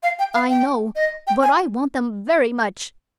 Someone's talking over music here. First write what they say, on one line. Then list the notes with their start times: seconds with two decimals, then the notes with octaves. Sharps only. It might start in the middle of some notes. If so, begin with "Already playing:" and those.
"I know; but I want them very much."
0.03 F5
0.19 G5
0.34 F5
0.50 G5
0.96 D#5
1.27 G5
1.43 G#5